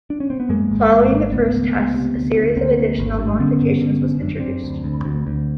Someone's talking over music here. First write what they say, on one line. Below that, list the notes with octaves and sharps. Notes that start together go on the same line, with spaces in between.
Following the first tests, a series of additional modifications was introduced.
D4
C#4
C4
B3
F#2 G#3 A#3
G#1
G#1
G#1
C#2 A3 B3
C#2
C#2
C3
D2
D2
D2 A#3 C4
D2
G#1
G2
D3 B3 C#4
G2
D3
G1
F#2 D4
F#2 C4 D4
D2
D2
D2
D2